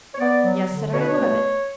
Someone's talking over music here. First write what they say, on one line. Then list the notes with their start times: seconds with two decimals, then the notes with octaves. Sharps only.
"Yes!" said I. "What of it?"
0.14 C#5
0.20 B3 D5
0.44 F#3
0.69 D3
0.93 B2 C#5
1.01 B4
1.09 C#5
1.17 A3